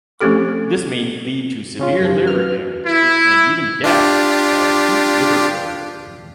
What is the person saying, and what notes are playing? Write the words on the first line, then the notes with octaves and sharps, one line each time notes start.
This may lead to severe liver damage and even death by acute liver failure.
F3 A3 C4 C#4 G4 A4
C#3 C#4 F4
F#2 F3 G4
F#2 F#4 B4 F6
E4
D4 F4 G4